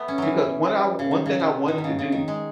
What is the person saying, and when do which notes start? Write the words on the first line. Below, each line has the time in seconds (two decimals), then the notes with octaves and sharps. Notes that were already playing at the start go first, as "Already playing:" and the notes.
because one I one thing I wanted to do
Already playing: A3 B3
0.08 C#4
0.18 E3 F#3
0.99 C#3
1.11 D#3
1.26 C#3
1.40 B2
1.68 D#3
1.78 B2
1.84 C#3
1.99 C#3
2.12 D#3
2.28 G#3